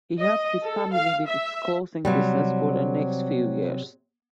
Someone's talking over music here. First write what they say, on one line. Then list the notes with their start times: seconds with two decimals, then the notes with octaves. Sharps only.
He helped his family with its clothing business for the next few years.
0.20 D#5
0.63 A4
0.93 F5
1.27 E5
2.05 C3 F#3 G3